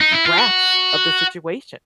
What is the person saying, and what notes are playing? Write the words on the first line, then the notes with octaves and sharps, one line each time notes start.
grasp of the situation
D#4
E4
F4
F#4